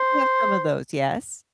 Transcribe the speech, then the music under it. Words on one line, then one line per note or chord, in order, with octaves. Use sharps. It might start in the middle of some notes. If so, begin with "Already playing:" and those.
we have some of those. Yes.
Already playing: C5